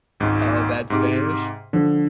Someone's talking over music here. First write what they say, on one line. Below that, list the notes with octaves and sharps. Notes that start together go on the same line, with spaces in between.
Oh, bad Spanish?
G#1 C#2 G#2
G#2 C3 D6
D3 F3 D4